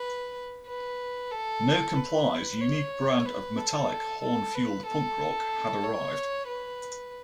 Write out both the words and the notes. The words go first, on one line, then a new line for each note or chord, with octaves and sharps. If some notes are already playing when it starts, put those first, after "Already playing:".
NoComply's unique brand of "metallic, horn fueled punk rock" had arrived.
Already playing: B4
B4
A4
B4
C#5
B4
A4
A4
B4
A4
C#5
B4